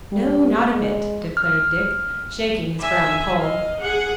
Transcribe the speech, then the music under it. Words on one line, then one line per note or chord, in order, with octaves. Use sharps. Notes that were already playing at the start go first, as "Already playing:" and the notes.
"No, not a bit," declared Dick, shaking his brown poll.
G3
G#3
F6
E5 G#5
D#5 F5
G#4 F#5